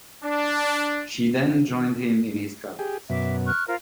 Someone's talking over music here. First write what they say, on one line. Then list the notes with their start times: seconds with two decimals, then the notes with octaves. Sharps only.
She then joined him in his travels.
0.24 D4
2.79 G4 G#4
3.10 F#2 B2 E5 D6
3.46 C#6 F6 F#6
3.68 F4 A#4 C5